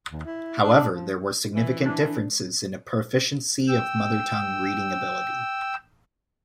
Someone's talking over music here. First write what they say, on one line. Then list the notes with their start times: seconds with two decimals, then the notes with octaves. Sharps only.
However, there were significant differences in the proficiency of mother tongue reading ability.
0.11 D#2
0.25 E4
0.63 D4
0.94 F3
1.54 E3
1.86 D4
3.68 G5 E6